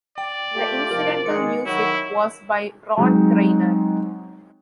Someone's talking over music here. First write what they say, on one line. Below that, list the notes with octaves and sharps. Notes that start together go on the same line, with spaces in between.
The incidental music was by Ron Grainer.
D5 G5
A3 F4 G4
C2 F3 A#4
D#3 G#3 C#7
D#3 F#3 E4
F#3 G#3 C4 D#4